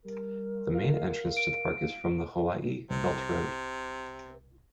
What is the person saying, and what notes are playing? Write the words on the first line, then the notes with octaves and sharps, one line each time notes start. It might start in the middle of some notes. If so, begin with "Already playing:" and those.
The main entrance to the park is from the Hawaii Belt Road.
G3 A#4
F5
D7
C2 C3